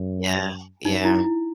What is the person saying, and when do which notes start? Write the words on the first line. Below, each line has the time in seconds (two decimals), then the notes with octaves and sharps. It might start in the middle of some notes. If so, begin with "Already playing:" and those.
Yeah, yeah.
Already playing: F#2
0.85 F#2 D#4
1.05 E4
1.24 E4